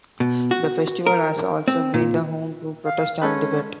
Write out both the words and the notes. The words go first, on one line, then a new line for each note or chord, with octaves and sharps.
The Festival has also been the home to protest and debate.
B2
F#4
A#4
C4
A#2
F5
G#3 C#4 A4 B4